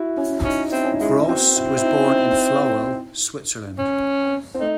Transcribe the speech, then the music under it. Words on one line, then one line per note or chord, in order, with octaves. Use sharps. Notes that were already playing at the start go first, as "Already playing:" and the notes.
Gross was born in Flawil, Switzerland.
Already playing: E4 F#4
C#4
C#4 D#4
C4 E4
C#4
D#4
G#3 E4
C4 F#4
E4
E4
D#4
C#4
C4
A3 D#4